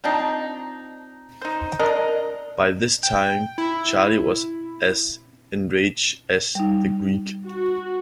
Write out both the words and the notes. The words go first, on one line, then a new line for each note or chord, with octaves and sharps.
By this time Charley was as enraged as the Greek.
F3 C4 D4 D#4
D#4 C5
D4 A#4 D#5
G5
E4
G3 D#4
F#4